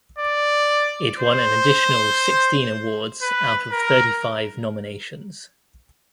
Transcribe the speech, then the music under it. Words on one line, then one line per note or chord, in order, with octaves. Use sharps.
It won an additional sixteen awards out of thirty-five nominations.
D5
C5
B4
A#4